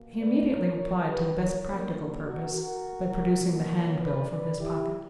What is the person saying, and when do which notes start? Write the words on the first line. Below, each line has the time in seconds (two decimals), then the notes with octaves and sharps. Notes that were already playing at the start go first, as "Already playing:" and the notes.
He immediately replied, to the best practical purpose, by producing the handbill from his pocket.
Already playing: B2 A#3
0.17 B4 D5
0.47 A#4 C#5
0.76 A#4 C#5
1.06 G4 B4
1.35 A#4 C#5
1.64 D3 G3 A#3 A#4 C#5
2.24 F#4 A#4
2.53 F#4 A#4
3.42 B2 F#3 A#3
3.72 A#4 C#5
4.00 B4 D5
4.30 B4 D5
4.59 E4 G4